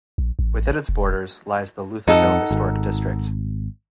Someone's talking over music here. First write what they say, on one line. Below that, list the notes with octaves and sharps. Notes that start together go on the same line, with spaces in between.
Within its borders lies the Lutherville Historic District.
A#1
A1
E1
F2 D#4 A4 F#5
G#1